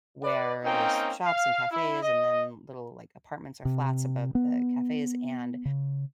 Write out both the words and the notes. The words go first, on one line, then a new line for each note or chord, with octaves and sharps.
where there's shops and cafes, and then little, like, apartments or flats above the cafes. And
B4 D5
A#3 C4 C#4 D#4 G5
F5
E4
D#5
C3
B3
C#3